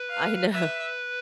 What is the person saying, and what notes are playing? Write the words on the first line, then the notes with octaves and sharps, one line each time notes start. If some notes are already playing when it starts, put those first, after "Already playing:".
I know.
Already playing: B4
F5
B4 E5